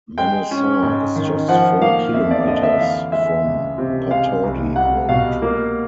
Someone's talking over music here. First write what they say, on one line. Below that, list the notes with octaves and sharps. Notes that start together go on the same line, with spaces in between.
Manesar is just four kilometers from Pataudi Road.
G#3 G5
C#4
G#2
D#3
F3 F#5
A#3 F5
F2 E5
D5
D3 D#5
E5
E3 F5
G#3 E5
C#2
C3
G#3 F5
C2
C2 F#5
B2 F5
A#3